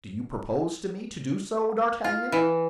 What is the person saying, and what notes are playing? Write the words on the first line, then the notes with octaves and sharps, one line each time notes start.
"Do you propose to me to do so, D'Artagnan?"
F4
E3